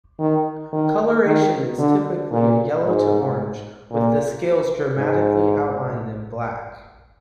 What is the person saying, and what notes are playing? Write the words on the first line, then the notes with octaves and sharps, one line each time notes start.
Coloration is typically a yellow to orange, with the scales dramatically outlined in black.
D#3
D#3
D#3
D3
A#2
G#2
A#2
G#2